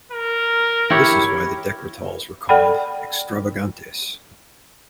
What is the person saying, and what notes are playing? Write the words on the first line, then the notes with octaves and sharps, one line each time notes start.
This is why these Decretals were called "Extravagantes".
A#4
E4 G4 C#5
A4 D5 F#5 G5 B5